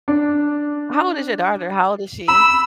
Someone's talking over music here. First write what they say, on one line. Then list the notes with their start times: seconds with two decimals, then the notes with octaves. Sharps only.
How old is your daughter? How old is she?
0.08 D4
2.28 B5 E6